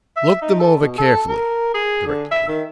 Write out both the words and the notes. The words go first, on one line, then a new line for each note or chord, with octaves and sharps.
"Look them over carefully," directed he.
E5
D#4
A4
B2
A4
A#4
G#4
D3
E5
D#3